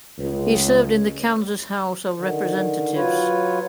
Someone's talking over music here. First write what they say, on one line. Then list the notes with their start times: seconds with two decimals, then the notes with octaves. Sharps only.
He served in the Kansas House of Representatives.
0.18 C#2
2.17 D3 D#3
2.95 F#3 F4 B4 C#5